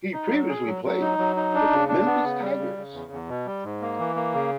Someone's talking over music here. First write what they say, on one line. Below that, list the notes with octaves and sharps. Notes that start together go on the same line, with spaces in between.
He previously played for the Memphis Tigers.
D#4
F#3
G#4
F#3
F#3
D#4
F#3
D#4
D4
C#3
D4
B3
C#3
G3
C#3
C#3
E2
E2
B2
G3
G#2
A#3
E3
A#3
C#3